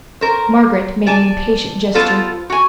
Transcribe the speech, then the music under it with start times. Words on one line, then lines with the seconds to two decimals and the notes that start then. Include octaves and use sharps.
Margaret made an impatient gesture.
0.21 A#4 C5
1.07 D5 G#5 A5
1.94 B3 F4 A4 C5
2.50 F#4 G#5